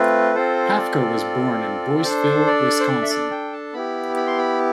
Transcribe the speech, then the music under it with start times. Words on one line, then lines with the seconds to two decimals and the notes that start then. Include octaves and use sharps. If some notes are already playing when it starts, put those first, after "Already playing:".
Pafko was born in Boyceville, Wisconsin.
Already playing: A3 C4 F4 B4
0.34 C4 F4 A4 C5
0.77 D5
2.04 D4 A4 C5
2.47 D5
2.80 C5
2.88 D5
3.02 E5
3.10 D5
3.31 G5
3.53 A5
3.73 B3 E4 G4 B5
4.16 B5
4.27 C6
4.38 B5